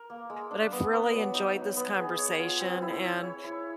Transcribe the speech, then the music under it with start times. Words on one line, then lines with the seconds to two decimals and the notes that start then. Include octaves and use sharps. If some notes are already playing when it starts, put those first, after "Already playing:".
but I've really enjoyed this conversation, and,
Already playing: A#4
0.10 A#3
0.30 G#3
0.51 D4
0.72 B3
0.93 B3
1.13 F#3
1.34 D#4
1.56 F#3
1.77 B3
1.98 G#4
2.19 C#5
2.39 F4
2.60 C4
2.82 E4
3.02 C#5
3.23 C#5
3.44 E4